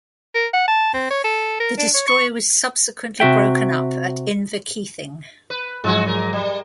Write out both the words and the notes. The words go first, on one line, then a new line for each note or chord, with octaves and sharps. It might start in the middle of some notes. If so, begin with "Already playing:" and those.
The destroyer was subsequently broken up at Inverkeithing.
A#4
F#5
A5
C4
C#5
A4
A#4
D4
C#5
C#6
C3 F#4 E5 G5
B4
G#2 F3 F#3 G#3 E4 F#4
A#2 G#3 A#4
G3